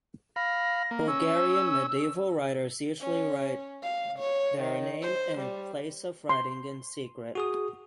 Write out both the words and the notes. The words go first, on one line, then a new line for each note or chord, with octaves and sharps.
Bulgarian medieval writers usually write their name and place of writing in secret.
F5 B5 A#6
A#3
C#4 E6
C#4
F5
C#5
D#3
C5
G3
C6
F#4 G#4 D#6